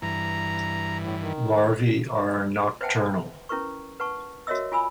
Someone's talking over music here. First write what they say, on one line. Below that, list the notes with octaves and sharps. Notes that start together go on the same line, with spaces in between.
Larvae are nocturnal.
G2 E3 A#5
A2
D#3
B4 C5 E5 F#5 G5 A5
C#4 E4 A#4 B4 C#6
B4 F#5 A5 C#6
F#4 A#4 C#5 D#5 E5 E6
F4 G#5 B5 E6